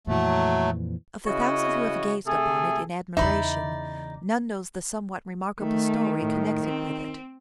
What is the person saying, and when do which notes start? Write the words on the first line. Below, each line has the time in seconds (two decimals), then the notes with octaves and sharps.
Of the thousands who have gazed upon it in admiration, none knows the somewhat remarkable story connected with it.
0.07 F2 A#2 E3 F#3 A3
1.27 C#3 E4 F#4 C#5 D#5
2.27 C3 A3 G#4 A4 G#5
3.17 E2 C#3 D#4 D5 E5 B5
5.61 D#3 A3
6.18 A2
6.65 C4